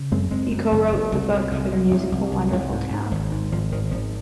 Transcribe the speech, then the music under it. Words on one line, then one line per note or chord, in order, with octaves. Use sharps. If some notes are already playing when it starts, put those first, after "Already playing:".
He co-wrote the book for the musical "Wonderful Town".
Already playing: C#3
F#2 G#3 C4
F#1 G#3 C4
F#2
F#1
F#1
C2
A#2
C2
A#2
C2
C2
C2
C2
G#2
G#2
G#1
G#2
G#1 F3
G#1 D#3
G#1 F3